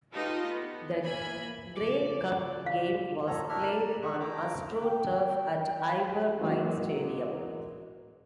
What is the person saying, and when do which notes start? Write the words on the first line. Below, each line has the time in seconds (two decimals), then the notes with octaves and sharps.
The Grey Cup game was played on astroturf at Ivor Wynne Stadium.
0.13 D#4 F4 G4 A4 B4 D#5
0.48 B3
1.03 A#3 E5 G#5 B5
1.78 C#3 F3 D5
2.66 F5
3.27 A4 C#5 A#5
3.49 D4 E4 G4 A#4 E5 F6
3.71 A#4 D5
4.02 A3 D#4 E5 C#6 F#6
4.20 A3 E4 G5 A#5 D6
4.83 G5
6.41 E3 F#3 G#3 A#3